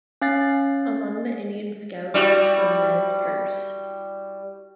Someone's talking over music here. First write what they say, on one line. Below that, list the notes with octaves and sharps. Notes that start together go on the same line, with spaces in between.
Among the Indian scouts were some Nez Perce.
C#4 F5 A6
G3 E4 F#4